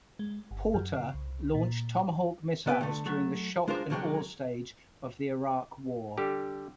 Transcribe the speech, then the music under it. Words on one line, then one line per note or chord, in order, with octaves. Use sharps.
"Porter" launched Tomahawk missiles during the Shock and Awe stage of the Iraq War.
G#3
G1
F#2
C#3
C2
A#2
C3 B3 B4 G5
D3 A3
F#3 A3
G#3 D4 F4 A#4 C5
C2 D3 F#3 G#3 G5
D3 G3 G4